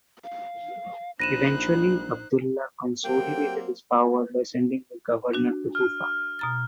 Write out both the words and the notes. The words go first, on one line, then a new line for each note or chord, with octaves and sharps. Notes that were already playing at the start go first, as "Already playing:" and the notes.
Eventually Abdullah consolidated his power by sending a governor to Kufa.
F5
A#1 D#4 C5 B5 F#6 A#6 D#7 E7
F#3 A#3 C4 G4 G5
D4 F#4
F6
B2 A#5 A6